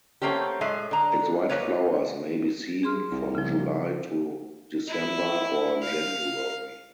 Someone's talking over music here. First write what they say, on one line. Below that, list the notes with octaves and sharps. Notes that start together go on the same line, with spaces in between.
Its white flowers may be seen from July to December or January.
F#3 A3 A#3 C4 C#4 G4
A2 G#3 G#4 E5
D3 A#5
F2 A#3 B4 C#5
G#4 C6 F6
C2
C#3 F3
E4
F5